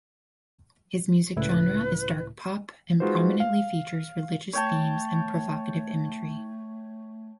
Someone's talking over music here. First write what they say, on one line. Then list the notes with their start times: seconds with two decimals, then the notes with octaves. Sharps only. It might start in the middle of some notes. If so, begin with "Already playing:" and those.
His music genre is dark pop and prominently features religious themes and provocative imagery.
1.36 C#2 A2 E4 B4
3.00 G#3 D#4 F4 F#4 B4 C5
3.40 F5
4.53 A3 C#5 G5 A5